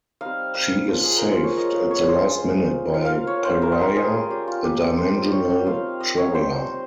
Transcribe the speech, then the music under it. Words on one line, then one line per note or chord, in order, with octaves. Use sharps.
She is saved at the last minute by Pariah, a dimensional traveler.
G3 C4 D#4 F5
F5
F3 A#3 C#4 F4
G#4
A#4
C5
C#5
G#3 C#4 F4 D#5
F5
C#5
C5
G#3 C#4 F4
A#3 F4 F5
F5
C#5
C5
G3 C#4 F4 A#4
C5
A#4
G#4
G3 C#4 F4 G4
F4
G4
G4
G4
F3 C4 F4 C5
C5
C#5
G5
G3 C4 D#4 F5
D#5
C#5
G3 C4 D#4 C5